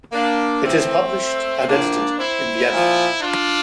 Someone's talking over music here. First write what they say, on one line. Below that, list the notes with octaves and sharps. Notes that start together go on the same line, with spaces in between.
It is published and edited in Vienna.
A#3 D4
A2 E3 A3 C4
A2 F3 A#3 D4
C4 E4
A#2 F3
D4 F4